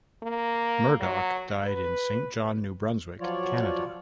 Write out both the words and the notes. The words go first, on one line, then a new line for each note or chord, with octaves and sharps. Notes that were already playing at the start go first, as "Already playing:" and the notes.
Murdoch died in Saint John, New Brunswick, Canada.
A#3
F#3
B4
F3 F#3 F4 C#5 D5